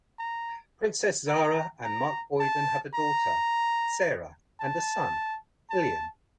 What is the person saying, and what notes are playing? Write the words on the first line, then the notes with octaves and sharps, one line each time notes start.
Princess Zahra and Mark Boyden have a daughter, Sara, and a son, Iliyan.
A#5
A#5
A#5
A5
A#5
A5
A5